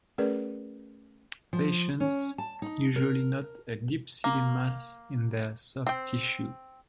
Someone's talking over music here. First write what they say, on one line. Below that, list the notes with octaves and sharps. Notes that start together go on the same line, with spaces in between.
Patients usually note a deep seated mass in their soft tissue.
A3 C#4 G#4 A#4 B4 D5
F3
C#4
A5
D#4
A#4
A#3
C4 G5